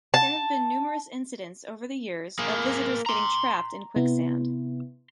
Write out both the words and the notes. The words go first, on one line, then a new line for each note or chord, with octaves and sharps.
There have been numerous incidents over the years of visitors getting trapped in quicksand.
A5
A#3 G#4
A#5 C6
C3 B3 E4